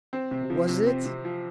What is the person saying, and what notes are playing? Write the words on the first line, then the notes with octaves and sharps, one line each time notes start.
"Was it?"
C4
C3
F3
C3
C4
C3
F3